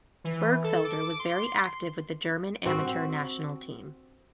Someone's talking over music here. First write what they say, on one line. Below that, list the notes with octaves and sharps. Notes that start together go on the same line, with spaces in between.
Bergfelder was very active with the German amateur national team.
E3
A4
D6
C6
C4 F#4